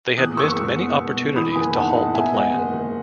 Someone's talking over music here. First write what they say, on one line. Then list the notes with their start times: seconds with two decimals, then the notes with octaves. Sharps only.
They had missed many opportunities to halt the plan.
0.18 E2 D#6 F#6
0.37 F#1 C#6 E6
0.58 G#3
0.76 B3
0.97 B2
1.16 B2
1.36 E3 B5 D#6
1.55 F#1 G#5 B5
1.75 B1 F#5 A5
1.95 A2 D#5 F#5
2.14 B3 E5 G#5
2.34 G#3 D#5 F#5
2.54 F#1
2.74 F#1